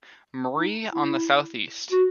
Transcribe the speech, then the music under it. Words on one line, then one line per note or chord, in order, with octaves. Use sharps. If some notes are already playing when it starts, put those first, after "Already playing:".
Marie on the southeast.
D#4
E4
F#4